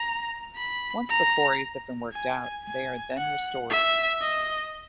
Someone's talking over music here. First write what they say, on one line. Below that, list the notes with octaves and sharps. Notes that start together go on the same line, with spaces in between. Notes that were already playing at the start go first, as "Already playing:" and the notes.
Once the quarries have been worked out they are then restored.
Already playing: A#5
B5
A#5
G#5
G#5
F#5
E5
D#5